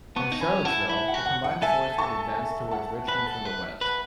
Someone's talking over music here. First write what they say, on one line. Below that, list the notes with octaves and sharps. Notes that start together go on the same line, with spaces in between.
From Charlottesville, the combined force would advance towards Richmond from the west.
B3 A5 C#6
D#4
C#4 G#5 B5
E4 F#5 A5
E4
F#5
F#4
F#5
F#5
A4 E5 G#5
A5 C#6
F#5 A5
B4
A4
B4
B4